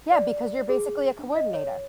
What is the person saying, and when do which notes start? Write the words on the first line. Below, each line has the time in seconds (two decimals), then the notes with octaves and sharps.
Yeah, because you're basically a coordinator.
0.12 D5
0.69 G#4
1.19 D4
1.36 D#5
1.54 C#5